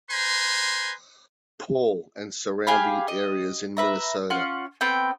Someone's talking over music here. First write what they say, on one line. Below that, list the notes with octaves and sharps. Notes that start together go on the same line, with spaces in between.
Paul and surrounding areas in Minnesota.
B4 C5 G#5 A#5 C6
G4 G#4 F5 B5
D#5
B4 E5 A#5
C#4 F4 F#5 F6
B3 C4 G5